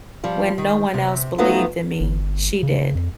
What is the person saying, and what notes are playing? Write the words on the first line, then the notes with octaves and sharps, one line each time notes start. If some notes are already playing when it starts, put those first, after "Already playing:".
when no one else believed in me, she did.
F3 G3
D#3
C3
F3 F#3 A3 B3 D#4
G1
C#3
F2